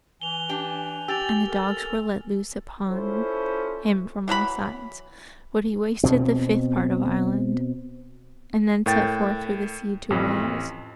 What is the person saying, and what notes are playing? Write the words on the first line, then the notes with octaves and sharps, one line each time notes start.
And the dogs were let loose upon him from all sides. But he wasted the fifth part of Ireland, and then set forth through the sea to Wales.
E3 G#5 F7 G7
D4 G4
G4 E6 A6 F7
A4 A#4
C#4 E4 F4 A4 C5
E3 F#3 A4 B5
B2 C4
A2 A#4 G5 A6
A1 F2